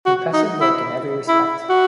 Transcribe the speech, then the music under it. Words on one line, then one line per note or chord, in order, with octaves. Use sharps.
Impressive work in every respect.
F#4
D#4
E4
E4
F#4